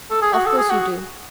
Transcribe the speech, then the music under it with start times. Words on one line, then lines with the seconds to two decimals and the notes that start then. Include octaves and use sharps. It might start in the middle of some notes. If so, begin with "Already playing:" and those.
Of course you do.
0.11 A4
0.22 G#4
0.33 F#4
0.46 A4
0.57 G#4
0.70 F#4